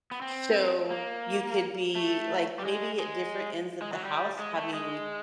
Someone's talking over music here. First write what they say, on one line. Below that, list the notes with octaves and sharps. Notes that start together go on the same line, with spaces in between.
So, you could be like maybe at different ends of the house, having
B3
C4
A#3
A3
G3
G#3
G#3
G#3
F#3
G3
G#3
A3
G#3